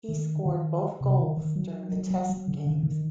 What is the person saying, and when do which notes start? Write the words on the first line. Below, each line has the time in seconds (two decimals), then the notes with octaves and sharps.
He scored both goals during the test games.
0.09 D#3
0.36 D3
0.46 D#3
1.01 C3
1.19 D#3
1.37 D#3
1.56 F#3
1.93 F#3
2.10 F#3
2.29 F#3
2.48 D3
2.67 D#3
2.75 D3
2.83 D#3